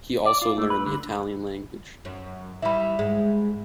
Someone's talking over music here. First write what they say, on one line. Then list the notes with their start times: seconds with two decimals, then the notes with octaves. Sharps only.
He also learned the Italian language.
0.25 D5
0.42 F4
0.58 A3
0.70 B4
0.87 D3
2.05 F#2
2.62 E3 G3 E5 B5
2.99 G#2 G#3